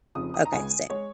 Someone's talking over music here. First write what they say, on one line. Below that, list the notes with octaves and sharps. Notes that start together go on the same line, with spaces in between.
Okay, same.
F1 F2 C#3 F3 D#6
D#6
A#5
C#2 C#3 G#3 G#5
G#3 C#5